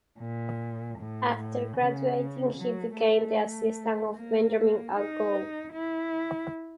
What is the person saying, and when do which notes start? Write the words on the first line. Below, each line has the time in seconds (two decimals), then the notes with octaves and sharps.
After graduating, he became the assistant of Benjamin A. Gould.
0.20 A#2
0.99 A2
1.78 C#3
2.57 F#3
2.97 A3
4.15 A#3
4.94 D#4
5.73 E4